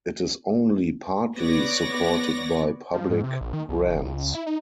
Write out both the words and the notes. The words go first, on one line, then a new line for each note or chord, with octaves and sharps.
It is only partly supported by public grants.
B3 C#5 D5 A#6
F3
G#2
C3
A#1
D#3
C2
F#1
C#2
E4
D#4